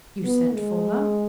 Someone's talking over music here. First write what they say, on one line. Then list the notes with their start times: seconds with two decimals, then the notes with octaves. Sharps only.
"You sent for her?"
0.24 B3
0.54 G#3